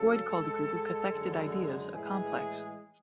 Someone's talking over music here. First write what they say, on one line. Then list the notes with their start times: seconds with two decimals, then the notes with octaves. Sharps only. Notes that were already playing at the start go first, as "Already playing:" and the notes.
Freud called a group of cathected ideas a complex.
Already playing: F#2 C#3 A4
0.26 G#2 G#3
1.10 F#2 D3 G#3
1.94 A2 E3 G#3 G#4